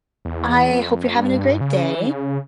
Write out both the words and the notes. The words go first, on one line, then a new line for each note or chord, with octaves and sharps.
I hope you're having a great day.
E2
F2
G2
C#3
E3
C#3